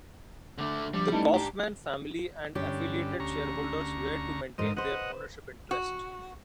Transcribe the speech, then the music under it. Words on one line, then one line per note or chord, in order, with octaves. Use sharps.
The Koffman family and affiliated shareholders were to maintain their ownership interest.
D3 A3 D6
F3 G3 D4 D6
A3 C#4 D#4 E4 B4 D5 A5
G#2 D4 G4 A5 A#5
G2 D3 C#4 G4
D2 A#5 C#6
G#2 A#4 C5 D#5
B4 C5 D#5 F#5
F#4